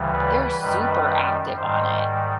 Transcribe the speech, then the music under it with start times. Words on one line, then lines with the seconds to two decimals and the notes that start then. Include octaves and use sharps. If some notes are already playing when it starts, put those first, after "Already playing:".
they're super active on it
Already playing: D2 C#3 E3 G3
0.12 B4
0.60 F#2 D#3 G3
1.56 G#2 D#3 G3 C5